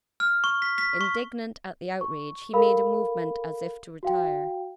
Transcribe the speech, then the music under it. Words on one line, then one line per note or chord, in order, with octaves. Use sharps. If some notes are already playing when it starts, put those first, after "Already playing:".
Indignant at the outrage, he made a movement as if to retire.
F6
C#6
B6
B6
C#6
C#6
A4 A#4 F5 B5
F#4 F5 G5